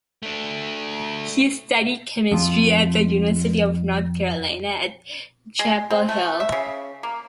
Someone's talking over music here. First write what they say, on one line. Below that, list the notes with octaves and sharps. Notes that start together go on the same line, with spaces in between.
He studied chemistry at the University of North Carolina at Chapel Hill.
A3 D4
F2 F4
G#3
C4
A3
E5
C#3
A#3